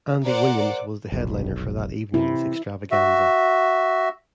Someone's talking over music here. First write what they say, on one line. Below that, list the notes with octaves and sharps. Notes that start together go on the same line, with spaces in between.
Andy Williams was the headliner for that evening's extravaganza.
A#4 C5 D5 F#5 D6
F1 B1
C3 E4
F#4 E5